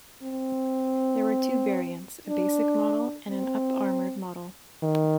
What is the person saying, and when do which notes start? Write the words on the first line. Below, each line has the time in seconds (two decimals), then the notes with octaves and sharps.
There were two variants; a basic model and an up-armored model.
0.23 C4
2.27 D4
3.29 C4
4.83 D#3